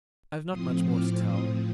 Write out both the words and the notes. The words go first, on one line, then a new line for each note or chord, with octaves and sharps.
I have not much more to tell.
A2 F3 C4 C6 D#6
D6 F6
C6 D#6